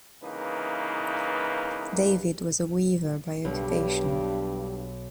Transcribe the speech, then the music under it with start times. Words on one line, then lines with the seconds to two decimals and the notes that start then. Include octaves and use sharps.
David was a weaver by occupation.
0.22 C2 C#3 E3 A#3 D#4 B4
3.45 B1 G2 G4